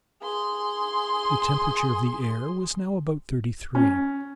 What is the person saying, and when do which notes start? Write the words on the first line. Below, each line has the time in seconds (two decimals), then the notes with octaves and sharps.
The temperature of the air was now about thirty-three.
0.22 G#4 C6
3.75 C#4